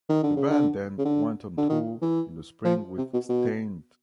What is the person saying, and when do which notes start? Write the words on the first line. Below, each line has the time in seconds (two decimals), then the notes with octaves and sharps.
The band then went on tour in the spring with Staind.
0.09 D#3
0.23 D3
0.36 C#3
0.50 D3
0.98 C#3
1.05 D3
1.58 D3
1.69 D#3
2.02 E3
2.65 F3
2.97 C3
3.13 B2
3.29 B2